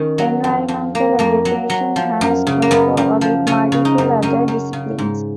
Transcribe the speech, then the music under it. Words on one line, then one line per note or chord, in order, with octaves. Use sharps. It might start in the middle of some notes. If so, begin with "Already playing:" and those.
Environmental education has crossover with multiple other disciplines.
Already playing: D#3 C#4
F#3
F2
F2
A#3
F2 A#3
F#3
F#3
F3
F#2
C#3
A#3
F#2 B3
F#2
F3
C#3 C#4
C#3
D#4
F#2
F#2 C#4
F#2
C#3
G#2